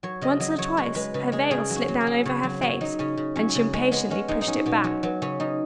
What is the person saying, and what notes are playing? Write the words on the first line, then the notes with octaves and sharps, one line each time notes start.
Once or twice, her veil slipped down over her face, and she impatiently pushed it back.
F#3 C#5
C#3 D#5
F#3 D#5
F#3 C#5
G#3 C#5
G#3 B4
C#3 B4
G#3 G#4
C#3 G#4
F#3
F#4
F#3
G#4
F#3
C#3 C#5
F#3
F#3 F#4
F#3 D#4
C#3 C#4
C#3
F#3 C#4
C#3
G#3 C#4
G#3 B3
G#3 C#4
G#3 D#4
D#4
F#3 C#4
B2 B3
F#3 C#4
F#3 B3
C#3 C#4
C#3 D#4